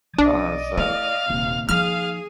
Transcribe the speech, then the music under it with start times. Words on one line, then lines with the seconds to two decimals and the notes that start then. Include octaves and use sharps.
Uh, so
0.18 B1 D4 D5 D#5
0.78 A3 E4 F5
1.30 D#1 D#2 C3
1.69 F3 D#4 G#4 F5 F6